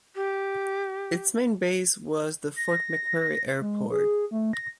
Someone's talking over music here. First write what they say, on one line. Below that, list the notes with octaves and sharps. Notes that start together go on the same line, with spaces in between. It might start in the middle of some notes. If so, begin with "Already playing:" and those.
Its main base was the Fort McMurray Airport.
G4
A#6
G#3
G#4
A3
A#6